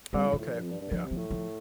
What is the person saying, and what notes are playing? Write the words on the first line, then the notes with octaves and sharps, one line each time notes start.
Oh, okay. Yeah.
C3 G3
A2
F3
A2
G2
F2
G2
G2
G2 F3
C3
F3
A2
F3